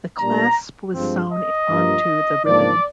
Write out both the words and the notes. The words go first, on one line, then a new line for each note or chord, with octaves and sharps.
The clasp was sewn onto the ribbon.
A#2 G3 A#3 D4 A#5
G2 F3 G#3 C4
D#5
G2 F3 A#3
G#2 F3 A#3 D4 D5